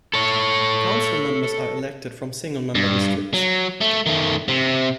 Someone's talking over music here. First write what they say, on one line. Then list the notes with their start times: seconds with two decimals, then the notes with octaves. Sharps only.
Council members are elected from single-member districts.
0.14 A4 C#5
2.75 G2
3.34 F#3
3.81 A3
4.06 D#3 A3
4.49 C3